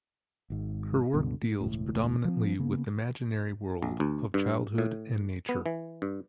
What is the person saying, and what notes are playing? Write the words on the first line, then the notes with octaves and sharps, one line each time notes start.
Her work deals predominately with the imaginary world of childhood and nature.
G#1 G#2
C#2 G2 B2 D3
A2
E1 C#2 A2
F3 C4
C#3 A#3 B3
A#1
D2
G2
A2
B3
E3
G2